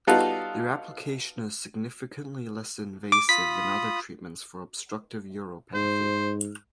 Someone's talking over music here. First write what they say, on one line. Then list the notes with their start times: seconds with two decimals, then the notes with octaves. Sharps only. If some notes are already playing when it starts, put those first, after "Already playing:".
Their application is significantly less invasive than other treatments for obstructive uropathy.
0.07 G3 B3 D#4 F4 F#4 A4
3.12 D6
3.29 F4 B5 D#6 B6
5.74 G#2 C5